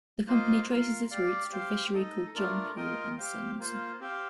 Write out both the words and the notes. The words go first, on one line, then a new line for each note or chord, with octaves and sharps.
The company traces its roots to a fishery called John Pew and Sons.
A#3 F4 C5 D#5
F4 A#4 F5
G4 D5 F5
G4 C5 F5
D#4 A4 D#5
A3 D4 F4 A#4
F4 A#4 D#5 G5
G4 C5 F5
A#3 F4 C5
C4 G4 C5 F5